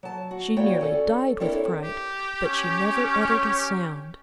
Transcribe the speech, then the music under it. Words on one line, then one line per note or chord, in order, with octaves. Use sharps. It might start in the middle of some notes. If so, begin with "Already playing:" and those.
She nearly died with fright, but she never uttered a sound.
F#3 A5
F#4
A#3 E4 F#4 C#5 D5 G5
C#4 A4 D5
C4 D4 E4 A4 A#4 C#5
G4
C#4